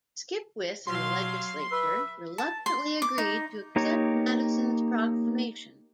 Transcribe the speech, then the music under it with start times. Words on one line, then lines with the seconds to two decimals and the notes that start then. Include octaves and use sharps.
Skipwith and the legislature reluctantly agreed to accept Madison's proclamation.
0.87 B2 F#3 F5 C6
1.72 B4 E5 E6
2.38 A5
2.66 C6
3.02 D6
3.18 D#4
3.76 A#3 D#4 G4 C#5 A#5